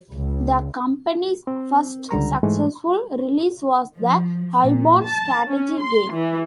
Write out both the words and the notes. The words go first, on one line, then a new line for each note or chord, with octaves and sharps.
The company's first successful release was the "Highborn" strategy game.
C#2
C4
C#2 D3 G3 A#5
G#2 E3 G#3 A3
F3
A#2
A5
C#4
C6
E3